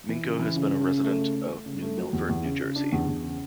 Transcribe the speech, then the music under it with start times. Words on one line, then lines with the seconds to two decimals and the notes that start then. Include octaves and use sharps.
Minko has been a resident of New Milford, New Jersey.
0.09 E3
0.24 C#3
0.40 E3
0.56 C#3
0.71 C#3
0.87 C#3
1.03 A3
1.18 C#3
1.35 A3
1.51 A3
1.66 C#3
1.82 A3
1.97 F#3
2.13 E2
2.29 E2
2.45 C#3
2.61 C#3
2.76 D4
2.92 E2
3.07 E2
3.23 C#3